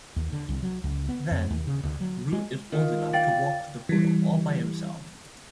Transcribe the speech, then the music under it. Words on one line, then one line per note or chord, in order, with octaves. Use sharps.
Then, Root is old enough to walk through the portal all by himself.
D#2
D3
C2
F#3
C#2
B3
F2
D#2
C#3
D2
F#3
G#3
D#3 F4
D5 F5 G5 A6
E3 G3